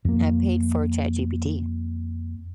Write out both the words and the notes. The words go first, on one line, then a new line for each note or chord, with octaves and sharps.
I paid for ChatGPT
F2 A#3